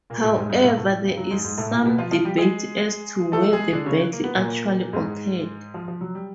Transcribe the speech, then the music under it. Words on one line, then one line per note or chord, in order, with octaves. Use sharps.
However, there is some debate as to where the battle actually occurred.
A#2 A#3
A2 A3
G3
G#2 G#3
G2 G3
A2 A3
A2 A3
G2 G3
F#3
G#2 G#3
G#2 G#3
A2 A3
A#2 A#3
B2 B3
F3 F4
F3 F4
G3 G4
G#3 G#4
A3 A4
A4
G#3 G#4
D3 D4
C#3 C#4
A#3
B3
A#2 A#3
G#2 G#3
F3
F3
F#3
G3